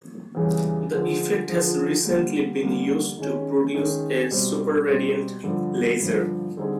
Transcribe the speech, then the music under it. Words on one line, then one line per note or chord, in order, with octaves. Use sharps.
The effect has recently been used to produce a superradiant laser.
E2 C#3 E3 G3
D3 F3 G#3
D3 F3 G#3
D3 G3 A#3
D3 G3 A#3
D#3 G#3 C#4
D#3 G#3 C#4
B2 G3 C4
B2 G3 C4
G2 D3 F3
G2 D3 F3
D3 G3 C4 D#4 G#4